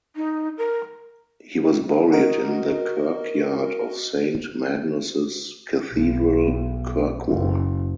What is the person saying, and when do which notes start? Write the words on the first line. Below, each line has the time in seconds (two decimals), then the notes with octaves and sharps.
He was buried in the kirkyard of Saint Magnus' Cathedral, Kirkwall.
0.16 D#4
0.58 A#4
2.12 F#4 A#4 D#5
5.92 B1
7.27 F#1